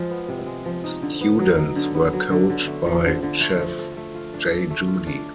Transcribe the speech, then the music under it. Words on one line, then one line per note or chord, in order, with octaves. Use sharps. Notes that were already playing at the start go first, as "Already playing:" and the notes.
Students were coached by Chef Jay Judy.
Already playing: F3 G#3
B3
C3
G#3
F3
D#4
D3
B3
F#3
D#4
D3
B3
F#3
D3
D3
A3
F3
D3
D3
A3
F3
A4
A3
F4
D4
A4
A3
F4
D4